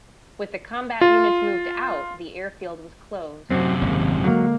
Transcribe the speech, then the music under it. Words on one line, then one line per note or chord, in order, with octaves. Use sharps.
With the combat units moved out, the airfield was closed.
F4
F#2 C3 F#3 C4
G#1 D#2 C#3
D3 F#3 G#3 A#3